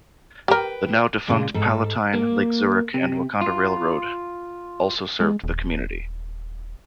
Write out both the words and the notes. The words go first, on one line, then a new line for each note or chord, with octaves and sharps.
The now-defunct Palatine, Lake Zurich and Wauconda Railroad also served the community.
G4 A#4 B4 G5
A#2 C#3 G#3
G#2 A4
A#3
C3
F4
G#3
D#1